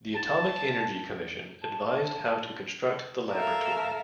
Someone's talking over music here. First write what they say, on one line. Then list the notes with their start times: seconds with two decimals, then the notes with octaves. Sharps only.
The Atomic Energy Commission advised how to construct the laboratory.
0.16 A5
1.63 A5
3.30 A4 A#4 E5 F5